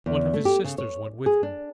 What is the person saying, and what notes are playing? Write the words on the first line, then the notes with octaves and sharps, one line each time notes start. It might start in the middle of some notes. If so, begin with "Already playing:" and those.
One of his sisters went with him.
E2
A3
G4
C#3
C#5
G#4
D4